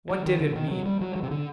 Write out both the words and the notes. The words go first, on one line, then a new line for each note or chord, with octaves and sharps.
What did it mean?
F#3
D#3
D3
D#3
F#3
G3
F#3
F#3
C3
D3